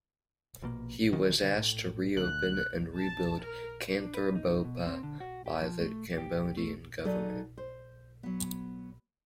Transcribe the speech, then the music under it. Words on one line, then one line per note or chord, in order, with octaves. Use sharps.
He was asked to re-open and re-build Kantha Bopha by the Cambodian government.
A#1 B2 A#3
D#3 E3
D3
A2
D2 F#6
A5
A#4
D4
B4
D#4
B2
C4
D3
F#4
G4
F3
A3
G4
A3
F#3 D#4 G#4 A4 B4 D5
C5
F#3 B3